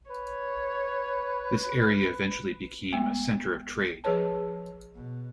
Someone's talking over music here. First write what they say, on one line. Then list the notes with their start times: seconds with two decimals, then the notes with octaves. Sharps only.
This area eventually became a center of trade.
0.10 B4 C#5
2.93 G#3 A3 B3
4.04 F3 G#4 B4 C#5 A5
4.95 B2